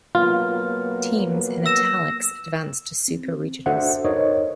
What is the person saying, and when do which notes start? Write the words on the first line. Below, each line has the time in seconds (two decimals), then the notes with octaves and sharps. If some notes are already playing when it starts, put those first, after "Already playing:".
Teams in italics advanced to Super Regionals.
0.15 F#3 A#3 B3 F4
1.66 E6 A#6 E7
3.08 C4
3.66 D4 F#4 A4 C5 E5 F#5
4.05 D#4 A4 A#4 C5 C#5 D#5